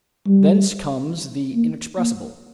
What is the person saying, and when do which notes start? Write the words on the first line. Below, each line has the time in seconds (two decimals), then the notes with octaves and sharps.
Thence comes the inexpressible.
0.27 G3
1.55 A#3
1.98 A#3